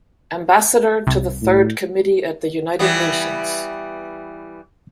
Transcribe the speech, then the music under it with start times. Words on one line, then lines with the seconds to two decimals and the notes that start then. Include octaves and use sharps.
Ambassador to the Third Committee at the United Nations.
1.07 C2
1.42 A2
2.79 E3 G3 B3